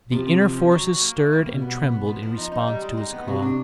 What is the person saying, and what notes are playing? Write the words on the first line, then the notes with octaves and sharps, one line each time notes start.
The inner forces stirred and trembled in response to his call.
C3 F3
F3
F3
C#4
F#3
F#3
A#3
A2
A#3
B2 G3
B3
B3
B3
F3
F3
D#4
D#4
G3
G#3
D#4
B3
C3 F#3
D4